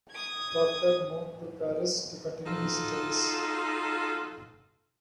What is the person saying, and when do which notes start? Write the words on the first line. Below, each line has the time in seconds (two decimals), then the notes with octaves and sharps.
Proctor moved to Paris to continue his studies.
0.11 D#6 G#6
2.46 D#4 F4 F#4 A4